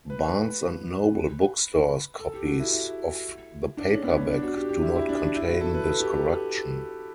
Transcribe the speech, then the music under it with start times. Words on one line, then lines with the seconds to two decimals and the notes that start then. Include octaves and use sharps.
Barnes and Noble bookstores copies of the paperback do not contain this correction.
0.10 B4
2.19 A4
2.34 G4
2.46 F#4
2.60 E4
2.73 E4
3.77 D4
3.91 C#4
4.04 B3
4.17 C#4
4.30 D4
4.43 F#4
4.56 G4
4.69 G4
4.82 E4
4.95 E4
5.09 D4
5.22 D4
5.35 E4
5.48 F#4
5.61 A4
5.74 B4
5.87 A4
6.00 G4